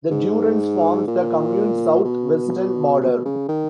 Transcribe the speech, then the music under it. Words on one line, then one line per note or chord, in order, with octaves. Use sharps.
The Durance forms the commune's south-western border.
G#2
A#2
B2
B2
C#3
D#3